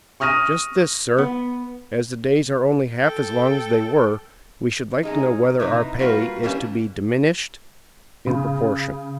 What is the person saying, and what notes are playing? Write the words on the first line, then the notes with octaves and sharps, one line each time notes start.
"Just this, sir; as the days are only half as long as they were, we should like to know whether our pay is to be diminished in proportion."
C#6 D#6 F6 A#6 D#7
B3
A4 G5
F#2 G#3 D#4
C3 E3 D#4
G3 A#3 F4 F#4 B4
E3 G3 A#3 C#4 D4 E4
C#3